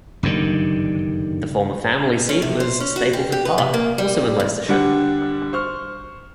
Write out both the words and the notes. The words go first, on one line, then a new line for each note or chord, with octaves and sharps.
The former family seat was Stapleford Park, also in Leicestershire.
F#1 G2 D3 D#3
C#4
C3
C5
C#4
F#4
G4
G4
B4
C3
A#3
G3
F2
D3 G3 D4 F#5
C5 C#6 F6